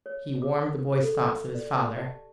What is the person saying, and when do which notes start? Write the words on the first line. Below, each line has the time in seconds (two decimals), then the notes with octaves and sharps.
He warmed the boy's thoughts of his father.
0.06 C#5
0.42 D6
1.03 A4
1.55 D5
1.78 G4
2.01 A5